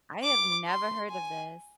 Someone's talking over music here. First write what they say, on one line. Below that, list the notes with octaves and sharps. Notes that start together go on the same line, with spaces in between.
I have never heard of this.
D6
C6
G#5